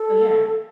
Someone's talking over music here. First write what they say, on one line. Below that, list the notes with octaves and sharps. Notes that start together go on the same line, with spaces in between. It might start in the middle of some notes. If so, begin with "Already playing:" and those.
Oh yeah.
Already playing: A4